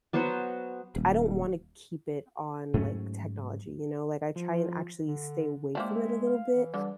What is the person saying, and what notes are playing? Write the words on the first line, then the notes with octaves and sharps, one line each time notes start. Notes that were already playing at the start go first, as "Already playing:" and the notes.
d I don't wanna keep it on, like, technology, you know? Like, I try and actually stay away from it a little bit
F#3 B3 F#4 C5
D#1
G#2 F#3 A3 C#4
F3
D3
G#3 A#3 C4 D4 E5
F5
E3
D3 G3